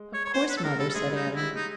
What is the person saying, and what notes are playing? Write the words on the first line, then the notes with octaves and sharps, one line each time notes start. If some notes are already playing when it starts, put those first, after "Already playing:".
"Of course, Mother," said Adam.
Already playing: G#3
C#5
C#5
B3 C5
B4
A4
G#3 A#4
G3 A4
A4
G#3 G#4
G3
D#4
G#3
G3 E4
G#3 D#4